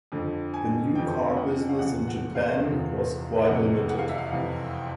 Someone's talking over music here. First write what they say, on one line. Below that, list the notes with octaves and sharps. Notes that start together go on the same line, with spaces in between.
The new car business in Japan was quite limited.
F2 D3 F3
G#5
F2 D3 F3 G5
F#5
F5
E2 C3 F3 F#5
F#5
F5
E2 C3 F3
F2 C3 E3 F#5
F#5
F5
E5
F5
F2 C3 E3 F#5
G5